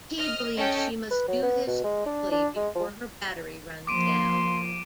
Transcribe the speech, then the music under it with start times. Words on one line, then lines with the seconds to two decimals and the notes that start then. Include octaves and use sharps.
Key believes she must do this quickly before her battery runs down.
0.19 D#5 F6
0.57 C#4 A4 D#5 G5
1.11 B4
1.28 F#3
1.42 B3
1.67 B2
1.84 G#3
2.06 D4
2.32 D4
2.56 G#3
2.75 F3
3.87 F3 A#3 C6 D6 D7 D#7